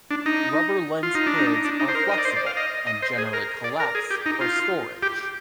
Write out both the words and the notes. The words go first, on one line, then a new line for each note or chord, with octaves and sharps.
Rubber lens hoods are flexible and generally collapse for storage.
D4
D#4
F4
D#4
D4
D#4
D4
D#4
C5
A#4
D#5
D5
C5
D5
F5
D#5
D#5
C5
G#4
A#4
D5
A#4
G#4
G4
D#4
F4
G4